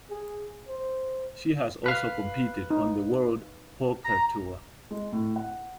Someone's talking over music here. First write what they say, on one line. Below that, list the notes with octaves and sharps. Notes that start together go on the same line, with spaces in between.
She has also competed on the World Poker Tour.
G#4
C5
B4 F5
D#4
A#5
G#3
A2
F#5